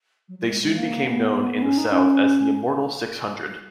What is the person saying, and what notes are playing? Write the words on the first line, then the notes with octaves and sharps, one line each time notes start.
They soon became known in the South as the Immortal Six Hundred.
F#3
F#3
G#3
G#3
A#3
B3
B3
C#4
D#4
C#4